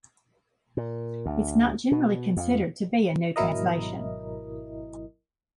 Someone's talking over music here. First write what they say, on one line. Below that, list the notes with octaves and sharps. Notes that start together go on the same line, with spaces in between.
It is not generally considered to be a new translation.
A#2
D2
B2
F2
G#1 B2 F#3 E4 A#4 D#5